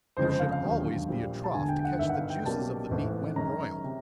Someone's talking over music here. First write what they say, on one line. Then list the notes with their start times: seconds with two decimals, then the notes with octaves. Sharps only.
There should always be a trough to catch the juices of the meat when broiled.
0.17 G1 F2 C#3 F3 G#3 C5
0.29 C5
0.39 F5
0.51 F5
0.63 E1 D#2 D3 F#3
1.08 A#1 A#2 G3
1.44 A5
1.53 E1 D2 D3 G#5
1.69 G5
1.79 G5
1.85 F#5
1.99 G1 G2 D#3 E5
2.09 F#5
2.14 F5
2.30 G5
2.45 B1 B2 G3 A#3 C#4 A5
2.90 A1 G#2 E3 A3
3.36 F#2 D#3 G#3 C#4 A#5
3.84 C3